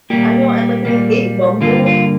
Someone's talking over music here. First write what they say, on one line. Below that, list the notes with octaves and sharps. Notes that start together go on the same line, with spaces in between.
I know, and, like, I hate Bumble.
A#2 G3 A#3 G4
A#2 G3 A#3
G2 D3 G3 A#3 F4
F4